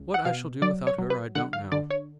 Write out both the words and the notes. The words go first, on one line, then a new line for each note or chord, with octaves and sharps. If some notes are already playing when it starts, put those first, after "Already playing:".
"What I shall do without her I don't know."
Already playing: C#2
F#5
B2 F5
F#3 D5
C#5
F#3
B4
D3 F#5
F5
D3 D5
C#5